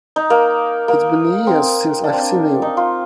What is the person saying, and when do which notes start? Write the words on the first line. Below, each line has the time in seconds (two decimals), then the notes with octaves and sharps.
It's been years since I've seen you!
0.16 D#4
0.30 A#3
0.88 A#3
1.47 C4
2.04 D4
2.13 C4
2.21 D4
2.62 D#4
2.77 F4